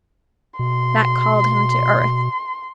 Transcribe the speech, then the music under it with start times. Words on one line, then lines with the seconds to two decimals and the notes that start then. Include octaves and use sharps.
That called him to earth.
0.59 B2 C6